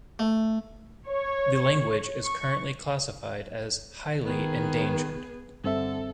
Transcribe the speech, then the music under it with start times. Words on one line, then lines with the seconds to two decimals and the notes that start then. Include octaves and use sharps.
The language is currently classified as "highly endangered".
0.19 A3
1.07 C#5
2.24 C#6
4.24 D#3 B3 G#4
5.64 G2 D3 C4 A4 E5